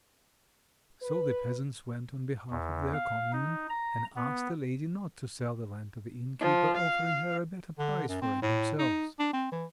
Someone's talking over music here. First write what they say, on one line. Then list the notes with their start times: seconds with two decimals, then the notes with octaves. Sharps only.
So the peasants went on behalf of their Commune, and asked the lady not to sell the land to the innkeeper; offering her a better price for it themselves.
1.03 B4
2.51 E2
2.94 F5
3.33 D#4
3.70 A#5
4.16 B3
6.40 F3
6.77 F5
7.79 D3
8.09 F#2
8.22 C4
8.42 A2
8.79 D#4
9.19 D4
9.33 C4
9.52 E3